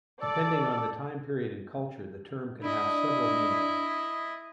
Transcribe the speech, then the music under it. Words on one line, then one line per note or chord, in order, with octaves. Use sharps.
Depending on the time period and culture, the term can have several meanings.
A4 D5
D4 E4 D#5